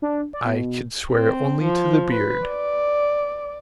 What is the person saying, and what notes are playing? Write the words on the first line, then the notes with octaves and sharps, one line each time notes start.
"I could swear only to the beard."
D4
D5
B2
C4
F3
B4
D5